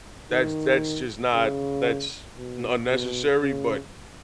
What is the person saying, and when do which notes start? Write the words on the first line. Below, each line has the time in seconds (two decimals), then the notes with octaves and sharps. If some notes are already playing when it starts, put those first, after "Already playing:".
That's that's just not that's n unnecessary, but
0.30 D#3
1.33 C#3
2.37 B2
2.89 B2
3.41 C#3